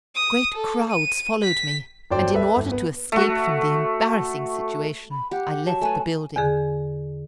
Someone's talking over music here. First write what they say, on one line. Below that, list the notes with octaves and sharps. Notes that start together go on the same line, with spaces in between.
Great crowds followed me, and in order to escape from the embarrassing situation I left the building.
D#6
A4
D#7
B6
G1 F#3 C5 D5 G5
A4 B4 E5
G1
B3
A3 F#4
B5
G4 F#5
F#3 E5 A5
A3 B4 G#5
E2 D3 G#4